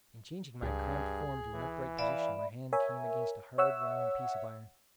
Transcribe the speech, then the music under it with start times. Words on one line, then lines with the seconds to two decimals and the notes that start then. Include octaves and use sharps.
In changing my cramped form to an upright position, my hand came against a hard, round piece of iron.
0.62 C#2 G2 G#4
1.55 E3
1.98 D5 E5 F5 B5
2.73 A#4 C#5 E5 G#5
3.58 C#5 E5 F#5 E6